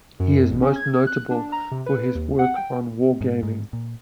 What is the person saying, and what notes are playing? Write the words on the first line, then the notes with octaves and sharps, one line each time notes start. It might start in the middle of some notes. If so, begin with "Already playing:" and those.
He is most notable for his work on wargaming.
F#2
A1
C#4
G#6
F#6
D4
A#5
C3
B4
D#2
F#5
G5
G#2
G#2
A#2